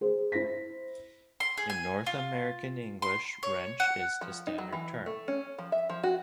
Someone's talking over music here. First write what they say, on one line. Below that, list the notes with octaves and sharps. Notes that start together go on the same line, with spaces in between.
In North American English, "wrench" is the standard term.
G#4 C5
E4 C5 A#6 B6
C6
G#4
G#5
F4
C6
C#5
F#5
F3
D#4
F#3
E3
A3
C#4
F3
E5
F3
F#4